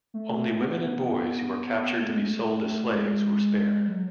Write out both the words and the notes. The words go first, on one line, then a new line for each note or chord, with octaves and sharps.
Only women and boys who were captured to be sold as slaves were spared.
A3
B3
A3
G#3
A3
G#3
F#3